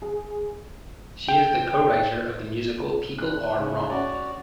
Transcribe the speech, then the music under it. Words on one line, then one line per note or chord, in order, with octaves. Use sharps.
She is the co-writer of the musical People Are Wrong!
G#4
G5
F#6
C#3
C#4 F#4 D5